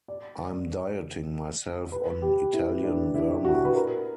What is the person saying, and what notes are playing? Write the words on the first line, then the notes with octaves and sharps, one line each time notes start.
I'm dieting myself on Italian vermouth.
D5
B4
G4
E4
D4
E4
F#4
B4
A#4